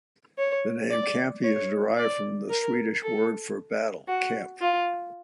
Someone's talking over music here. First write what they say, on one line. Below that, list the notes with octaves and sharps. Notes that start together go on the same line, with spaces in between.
The name "Kamppi" is derived from the Swedish word for battle, "kamp".
C#5
D5
C#5
D5
A#4
A4
F#4
F4